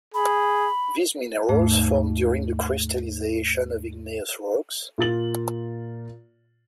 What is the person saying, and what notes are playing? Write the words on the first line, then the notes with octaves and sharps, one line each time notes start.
These minerals formed during the crystallization of igneous rocks.
G#4 B5
D#2 G#2 A3
A#2 F4 A6 F#7